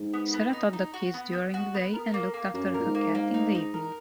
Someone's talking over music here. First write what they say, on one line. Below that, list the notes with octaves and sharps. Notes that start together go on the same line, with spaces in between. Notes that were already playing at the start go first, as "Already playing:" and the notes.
Sarah taught kids during the day and looked after her cats in the evening.
Already playing: G#2
B3
B3
D#4
D#4
F#4
B3
B3
F#4
B3
A#4
A#3
A#3
F#2 A#3
A#2 A#4
G#2
A#3
A#3
D#4
D#4
A#4